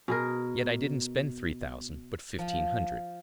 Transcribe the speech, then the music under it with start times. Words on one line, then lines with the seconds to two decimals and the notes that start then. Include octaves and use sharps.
Yet I didn't spend three thousand, but fifteen hundred.
0.08 B2 G#4 A#4
2.39 F3